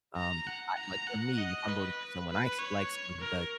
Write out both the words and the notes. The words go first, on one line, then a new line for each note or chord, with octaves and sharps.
um, I like for me, if I'm voting for someone I actually like, someone who does,
A#5
F#5
A#5
F#5
D#5
B4
B4
C#5
A#4